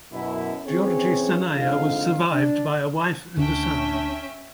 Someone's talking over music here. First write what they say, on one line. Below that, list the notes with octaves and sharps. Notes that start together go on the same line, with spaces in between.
Giorgi Sanaia was survived by a wife and a son.
F#2 B2 E4
E3 C4 C#4 G#4 C#5
F2 G#2 D3 F5
D4
D2 C#4 D4 E5 G5